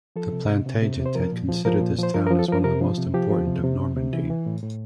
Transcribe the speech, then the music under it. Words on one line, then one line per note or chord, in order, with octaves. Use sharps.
The Plantagenet had considered this town as one of the most important of Normandy.
F3 A4
C3
C3
C3
C3
C3
C5
F3 A#4
A#2
F3
F3 A#4
A#2
F3 C5
F3 A#4
A#4
F3
A4
F3 A#4
C3 A#4
F3
C3
F3 G4
F3
C3
C3
C3
C3
E3 E4
E3
A2
A2